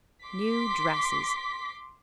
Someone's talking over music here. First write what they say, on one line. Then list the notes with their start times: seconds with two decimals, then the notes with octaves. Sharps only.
New dresses!
0.25 C6 D6 B6